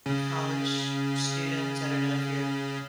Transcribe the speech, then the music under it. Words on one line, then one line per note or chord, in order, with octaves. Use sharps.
college students I don't know if you're,
C#3 C#4